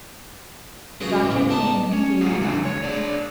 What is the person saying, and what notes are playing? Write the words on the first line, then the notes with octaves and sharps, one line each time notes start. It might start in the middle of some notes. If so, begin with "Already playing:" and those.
The doctor came and gave him opium.
C#3 F#4 G#4 B4
A1 D6
B3 D#4 A5 D6
C#4
A2 G3 G#3 F4 F#4 G#4
C#3 E3 G#3 A3 D4
C#5
D4 G#4 D5